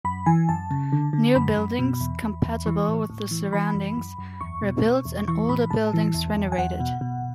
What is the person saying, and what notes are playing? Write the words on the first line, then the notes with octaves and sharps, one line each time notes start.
New buildings, "compatible with the surroundings", were built and older buildings renovated.
F#2 B5
E3 G#5
F#2 A5
C#3
D3
D3
F#2 B5
F#2
B2
E2
E2
E2
E3 C#6
A2
A2
E3
E3 B5
F#2
F#2
F#2
E2 C#6
B2
B2
E2
E3 C#6
A2 B5
A2 A5
E3
E2
E2
G#5
E2 F#5
B2
B2